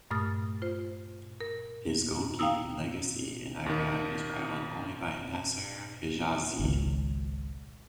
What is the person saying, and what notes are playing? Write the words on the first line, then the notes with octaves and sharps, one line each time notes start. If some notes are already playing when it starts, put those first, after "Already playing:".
His goalkeeping legacy in Iran is rivaled only by Nasser Hejazi.
G2 A#2 A3 D#6 F6 A6
F4 C5
A#4
F5 G5 A#5 D#6 E6
D#2 D#3
G#1 C#2